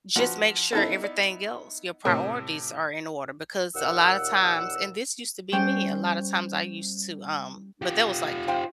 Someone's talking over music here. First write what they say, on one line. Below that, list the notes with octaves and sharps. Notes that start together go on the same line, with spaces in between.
just make sure everything else, your priorities are in order because a lotta times and this used to be me, a lotta times I used to, um but that was, like,
F3 D4 F#4 B4
B3 C#4 D#4 E4 A4
D5
A2 C3 A#4 C#5
D#2 A#2 F#5 E6
G3 C#4 C5 G5
F4 G4
C5 F5 G5